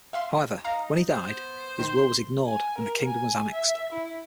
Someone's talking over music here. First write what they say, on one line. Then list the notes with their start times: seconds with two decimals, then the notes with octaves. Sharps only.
However, when he died, his will was ignored, and the kingdom was annexed.
0.13 E5 F5 C6
0.65 D#4 F5 A#5
1.10 B3 C5
1.79 D#3 C6
2.47 G#5
2.78 A#4
3.08 G#5
3.53 E5
3.92 E4